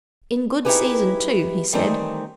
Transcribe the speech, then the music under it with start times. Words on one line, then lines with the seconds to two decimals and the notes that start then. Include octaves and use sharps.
"In good season, too," he said.
0.65 C4 D#4 E4 G4 G#4 B4
1.73 D#3 E3 G3 A3 C4 D#4